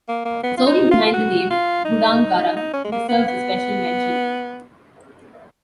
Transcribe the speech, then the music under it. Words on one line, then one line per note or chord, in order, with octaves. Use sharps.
The story behind the name "Gudang Garam" deserves a special mention.
A#3
A#3
B3
F4
D#4
F4
F4
F#4
F4
D#4
D#4
C#4
G#3
A#3
B3
B3